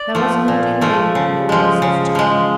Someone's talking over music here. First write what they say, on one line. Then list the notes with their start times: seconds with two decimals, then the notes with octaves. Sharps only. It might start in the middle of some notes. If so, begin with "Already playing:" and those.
There was no delay, no waste of time.
Already playing: D5
0.15 F3 A3
0.48 A#2
0.81 F3 A3
1.15 C#3
1.49 F3 G#3
1.82 C#3
2.15 F3 G#3